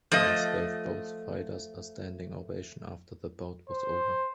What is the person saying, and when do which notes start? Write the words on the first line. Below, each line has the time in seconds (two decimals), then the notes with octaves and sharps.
Fans gave both fighters a standing ovation after the bout was over.
0.12 F3 A3 D#5
3.69 C5